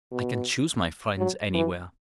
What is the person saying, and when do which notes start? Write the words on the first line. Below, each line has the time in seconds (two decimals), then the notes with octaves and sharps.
I can choose my friends anywhere.
0.12 B2
1.18 F#3
1.54 E3